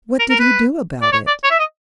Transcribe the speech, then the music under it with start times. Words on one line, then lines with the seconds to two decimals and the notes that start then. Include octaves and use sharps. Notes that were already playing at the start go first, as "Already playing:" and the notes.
What did He do about it?
0.19 A#4
0.30 A#4
0.39 B4
1.02 D5
1.12 C#5
1.27 D5
1.44 C#5
1.51 E5
1.59 D#5